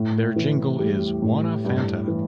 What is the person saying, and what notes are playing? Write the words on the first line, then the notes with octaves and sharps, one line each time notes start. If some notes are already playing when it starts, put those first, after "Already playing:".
Their jingle is Wanna Fanta!
Already playing: A2
E3
G3
A2
G2
E3